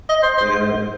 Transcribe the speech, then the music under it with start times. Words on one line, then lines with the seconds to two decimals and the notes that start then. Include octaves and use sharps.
you know.
0.09 D#5
0.23 C5
0.38 C5